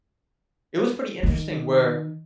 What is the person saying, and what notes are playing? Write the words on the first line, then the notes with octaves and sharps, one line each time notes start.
it was pretty interesting where
D#3